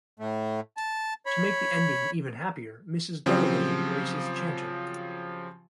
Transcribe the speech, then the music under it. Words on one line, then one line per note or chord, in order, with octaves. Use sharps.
To make the ending even happier, Mrs. Doubleday embraces Chanter.
A2 A3
A5
C#5 B5
C#3 F3 F#3 C4 G4